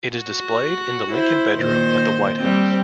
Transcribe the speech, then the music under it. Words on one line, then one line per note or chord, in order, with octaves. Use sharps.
It is displayed in the Lincoln Bedroom at the White House.
F#4
E4 C5
A#2 D#3 C5
G3 C4